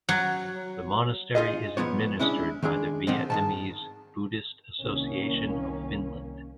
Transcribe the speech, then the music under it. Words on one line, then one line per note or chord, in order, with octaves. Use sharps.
The monastery is administered by the Vietnamese Buddhist Association of Finland.
F#3
D#4 F4 G#4 D#5
A#2 E3 F3 B3 C#5
G#3 A#3 C#4 D4 E4
D#3 G#3 D4 G#4
D3 D#3 F3 G#3 C4
G#2 D#3 A5
C2 D#3 A#3 C#4